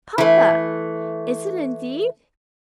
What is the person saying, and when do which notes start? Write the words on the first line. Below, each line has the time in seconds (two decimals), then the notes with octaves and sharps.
"Papa! is it indeed?"
0.18 E3 A3